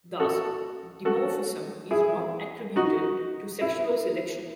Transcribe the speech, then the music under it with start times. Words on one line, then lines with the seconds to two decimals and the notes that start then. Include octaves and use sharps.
Thus, the dimorphism is not attributed to sexual selection.
0.20 F#4 A4
1.05 F#4 A4
1.91 E4 G#4
2.76 D#4 F#4
3.61 E4